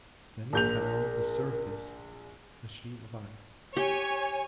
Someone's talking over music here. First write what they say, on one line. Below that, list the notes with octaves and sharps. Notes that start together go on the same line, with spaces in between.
Then he found the surface a sheet of ice.
A#1 A#4 G6 F7
G4 C#5 G#5